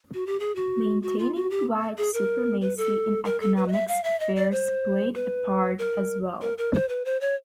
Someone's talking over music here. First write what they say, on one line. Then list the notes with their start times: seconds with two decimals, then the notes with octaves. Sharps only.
Maintaining white supremacy in economic affairs played a part as well.
0.14 F#4
0.26 G4
0.40 G#4
0.56 F#4
1.03 F#4
1.19 F4
1.35 F#4
1.50 G4
1.98 G#4
2.14 A#4
2.61 B4
2.77 A4
3.25 A#4
3.41 A4
3.56 B4
3.68 D#5
3.72 E5
3.88 F5
4.04 E5
4.20 D#5
4.36 D5
4.52 C5
5.15 B4
5.79 A#4
6.42 A#4
6.58 A#4
6.73 C5
6.89 B4
7.05 C5
7.21 C#5